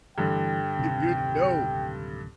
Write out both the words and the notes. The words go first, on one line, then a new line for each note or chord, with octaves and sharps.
you no,
G2 D3 E3 A3 G5
D1 C3 D#3